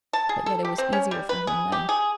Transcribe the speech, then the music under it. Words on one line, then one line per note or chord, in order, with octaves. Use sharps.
But yet it was easier for him then.
A5
G#4
A4
G4
C4
C#4
G3
B4
G#4
G4
G#4